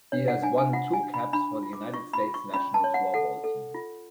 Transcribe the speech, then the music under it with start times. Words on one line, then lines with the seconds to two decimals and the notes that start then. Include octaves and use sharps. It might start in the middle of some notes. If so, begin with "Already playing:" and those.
He has won two caps for the United States national floorball team.
0.12 D4 C#5
0.28 F#5
0.42 D4 G#5
0.58 G#5
0.73 F4 F#5
0.93 G#5
1.03 D4
1.14 B5
1.33 D4 B5
1.63 F4
1.73 D6
1.93 F4 C#6
2.13 B5
2.24 F4
2.34 C#6
2.54 C#4 B5
2.74 A5
2.84 C#5
2.94 F#5
3.14 A4 F#5
3.44 A4
3.74 F4